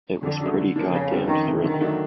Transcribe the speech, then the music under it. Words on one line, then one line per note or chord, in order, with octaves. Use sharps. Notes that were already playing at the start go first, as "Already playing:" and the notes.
It was pretty goddamned thrilling.
F2 D3
C#3 F#3 A3
D3
F3 A#3 D4
F2 C#3
D3 G3 B3
F2 D#3
C3 E3 A3
D3 D#3
F#3 A3 D4